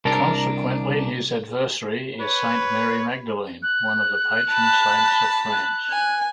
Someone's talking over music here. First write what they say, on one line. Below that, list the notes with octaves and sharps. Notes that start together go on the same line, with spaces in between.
Consequently, his adversary is Saint Mary Magdalene, one of the patron saints of France.
C2 D4 A#4 A5 A#5
B4 C#5
F#6
A5 B5
F#6
G#5